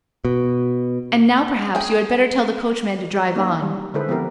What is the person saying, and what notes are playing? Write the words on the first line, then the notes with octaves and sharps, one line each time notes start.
And now, perhaps, you had better tell the coachman to drive on.
B2
G#4 G5
F#3 A#3 C#4 D#4
G3
D3 G#3 E4 A4 B4 C5
F3 B3 C4 E4 G4 A#4